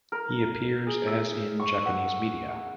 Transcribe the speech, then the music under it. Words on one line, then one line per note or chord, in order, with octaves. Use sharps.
He appears as in Japanese media.
A#4
G#4
E5
C#6
F#5